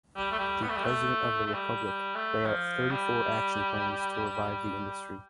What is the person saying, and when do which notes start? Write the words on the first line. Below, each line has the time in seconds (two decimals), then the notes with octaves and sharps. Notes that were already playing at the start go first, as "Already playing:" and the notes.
The President of the Republic lay out thirty-four action plans to revive the industry.
0.16 G3
0.32 A3
0.39 G3
0.63 B3
0.69 A3
0.77 G3
0.84 A3
1.47 A3
1.54 G3
1.84 G3
2.15 A3
2.46 F3
2.91 G3